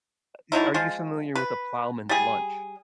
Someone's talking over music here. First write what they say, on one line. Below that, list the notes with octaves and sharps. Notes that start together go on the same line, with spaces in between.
uh, are you familiar with a ploughman's lunch?
D3 F#3 D#4 E4
F3 G#3
B4
G3 G#4